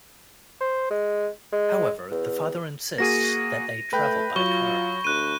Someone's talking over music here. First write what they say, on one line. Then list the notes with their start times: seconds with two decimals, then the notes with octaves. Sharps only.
However, the father insists that they travel by car.
0.60 C5
0.90 G#3
1.52 G#3
2.11 E2
2.98 A#3 F#4 G#4 A#6 D#7
3.93 A3 B4 G5 B5 G6
4.36 F#3 F4 C#6 G7
5.04 D2 F#6 D#7